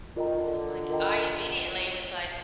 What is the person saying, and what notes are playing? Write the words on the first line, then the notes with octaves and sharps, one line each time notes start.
so I'm like I immediately was like,
D3 F4 A#4 D#5 G5 A#5
D#3
D3
F4 A#4 D#5 G5 A#5